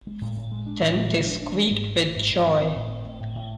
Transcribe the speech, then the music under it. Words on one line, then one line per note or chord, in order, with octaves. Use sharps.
Then they squeaked with joy!
G#3
A2
A2
G#3
D4
A2
A2
G#3
D4
D4
E3
G#2
A3
A3
G#2
G#2
C4
C4
A2
C4
A2
A2
A2